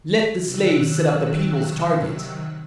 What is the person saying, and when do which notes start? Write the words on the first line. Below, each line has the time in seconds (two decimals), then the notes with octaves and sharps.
Let the slaves set up the people's target.
0.46 C3 D#3 F#3 E6 F#6